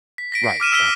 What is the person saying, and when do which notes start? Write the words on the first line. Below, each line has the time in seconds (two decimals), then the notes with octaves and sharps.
Right, right.
0.18 B6
0.32 A#6 B6 D7
0.44 C7
0.60 D6 F6 D#7 E7
0.72 E6 F6 B6 D7 G7